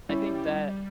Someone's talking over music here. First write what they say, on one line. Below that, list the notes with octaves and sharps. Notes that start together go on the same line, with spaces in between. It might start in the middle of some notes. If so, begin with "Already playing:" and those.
I think that,
G3 C#4 E4